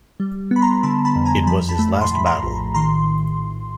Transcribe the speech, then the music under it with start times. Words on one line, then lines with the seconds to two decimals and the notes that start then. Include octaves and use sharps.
It was his last battle.
0.20 G3
0.51 B3 B5
0.61 A#5 C6
0.83 D3 A5 B5
1.05 A5 B5
1.16 F2
1.25 G#5 A#5
1.47 F3 A5 B5
1.69 A5 B5
1.79 A3
2.01 C6
2.11 A2 B5
2.26 A#5 C6
2.43 A#1
2.74 D#3 A#5 C6